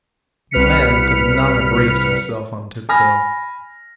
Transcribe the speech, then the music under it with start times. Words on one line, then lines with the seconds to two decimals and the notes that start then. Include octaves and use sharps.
The man could not have raised himself on tiptoe.
0.51 C2 B4 F6 B6 C#7
2.89 G#5 B5 F6 A#6